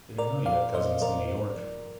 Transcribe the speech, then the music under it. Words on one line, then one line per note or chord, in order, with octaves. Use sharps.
Didn't know you had cousins in New York.
A#2 A#4 D5
F3 D5 F5
A#2 C5 D#5
F3 A#4 D5
G2
F3